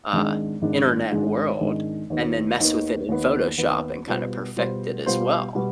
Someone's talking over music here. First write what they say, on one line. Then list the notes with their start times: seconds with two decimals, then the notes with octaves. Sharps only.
uh, internet world and then mess with it in Photoshop and kinda perfect it as well.
0.13 G#1 G#2 D#3 G#3 D4
0.62 G#1 G#2 D#3 G#3 D4
1.12 G#1 G#2 D#3 G#3 D4
1.60 G#1 G#2 D#3 G#3 D4
2.10 D#2 D#3 B3
2.60 D#2 D#3 B3
3.09 D#2 D#3 B3
3.57 D#2 D#3 B3
4.07 B2 G3 B3 F4 C5
4.57 B2 G3 B3 F4 C5
5.06 B2 G3 B3 F4 C5
5.55 B2 G3 B3